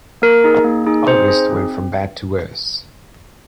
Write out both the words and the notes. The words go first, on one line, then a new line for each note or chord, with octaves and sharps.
August went from bad to worse.
A#3 A#4
D#4 G#4
A#3
D#4 G#4
C4 C5
D#4 G#4
C4